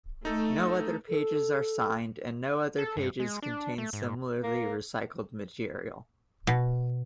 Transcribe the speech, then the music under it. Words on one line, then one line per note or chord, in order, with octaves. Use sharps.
No other pages are signed and no other pages contain similarly recycled material.
A3 D#4 A4
A4
A4
G2
G#3
D4
A3
G#2
A#3
B2